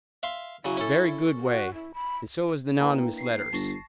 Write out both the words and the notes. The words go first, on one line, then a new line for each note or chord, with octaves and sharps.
It's a very good way, and so is the nonnamous letters.
E5 F5 C6
C#3 F#3 E4
C#4 A4
F#4
E4
B5
A#3 D4 E4 B4 G5 A#5
C7
G1 A5 C#6 A#6